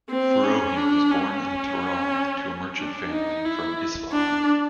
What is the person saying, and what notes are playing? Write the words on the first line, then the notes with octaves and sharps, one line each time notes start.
Foroughi was born in Tehran to a merchant family from Isfahan.
C4
C#4
D4
C#4
D4
D#4
E4
D4